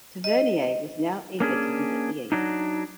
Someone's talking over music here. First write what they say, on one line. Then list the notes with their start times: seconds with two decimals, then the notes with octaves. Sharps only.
Tavernier was now eager to visit the East.
0.24 D#5
1.40 A#3 C#4 D4 G#4
2.32 F#3 D4 D#4